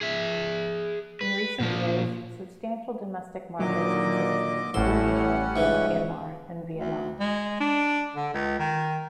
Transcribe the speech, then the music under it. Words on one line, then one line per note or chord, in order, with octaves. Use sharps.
In recent years, substantial domestic markets existed in Indonesia, Myanmar and Vietnam.
G#4 E5
B4
A#2 F3
A#2 D3 D#3 F#3 D#5 D6
A1 A2 G3 C#4 F#5 C6 E6
C#2 G#2 E3
D2
G#3
D4
D3
C#2
D#3